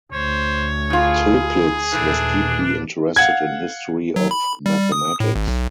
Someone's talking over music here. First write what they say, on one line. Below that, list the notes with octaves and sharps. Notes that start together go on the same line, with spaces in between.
Toeplitz was deeply interested in history of mathematics.
D2 C5 C#5
A2 F4 G#4
D#2 A#2 E3 A3 D4
F5 F#5 G#6
F#3
B5
G3
D#6
A2
G#1
B1